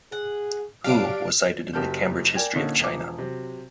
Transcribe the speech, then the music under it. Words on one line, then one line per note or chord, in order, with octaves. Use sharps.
Hu was cited in "The Cambridge History of China".
G#4 F#5
F#3 D4 G4 F5 D7
F#1 F#3 G4 A5 F6 G6
A#4 D5 G5 G#5 G#6
A#2 D3 A#3 C#4 D#4
E1 F3 D6
C3 F#3